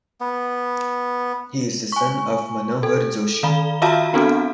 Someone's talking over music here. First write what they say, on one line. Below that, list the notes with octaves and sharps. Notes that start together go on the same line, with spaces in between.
He is the son of Manohar Joshi.
B3
G#5 C#6
A4
D#3 F5 A#5 B5 G7
F4 F#4 E5 F5 A5 A#5
B3 C4 D4 F#4 A4